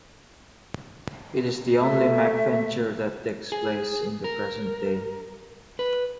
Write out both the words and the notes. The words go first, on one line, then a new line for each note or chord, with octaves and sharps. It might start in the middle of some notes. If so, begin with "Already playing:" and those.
It is the only MacVenture that takes place in the present day.
A3 E5
G#4
A#4
B4